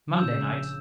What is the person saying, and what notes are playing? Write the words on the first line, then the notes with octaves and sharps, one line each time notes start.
Monday night?
A#1 C#3 E6 G6 E7